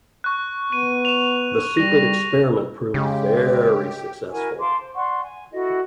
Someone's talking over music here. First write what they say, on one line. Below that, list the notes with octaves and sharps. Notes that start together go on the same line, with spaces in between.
The secret experiment proved very successful.
C#6 F#6
B3 D#7
E7 F7
G3 A#6
C#3 G#3 G4
E4 F#4 A#4 G#5
F5 A5 C6 D6
C5
D5 F#5 C6 C#6
G#5
E4 F#4 A4 D#5